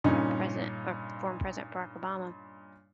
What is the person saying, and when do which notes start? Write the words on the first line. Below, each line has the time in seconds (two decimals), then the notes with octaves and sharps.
President or former President Barack Obama
0.04 G2 A#2 C#3 C#4 D#4